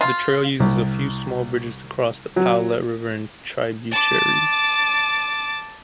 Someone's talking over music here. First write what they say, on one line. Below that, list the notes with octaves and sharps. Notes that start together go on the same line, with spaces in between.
The trail uses a few small bridges to cross the Powlett River and tributaries.
F4
C2
F#3
A5 D6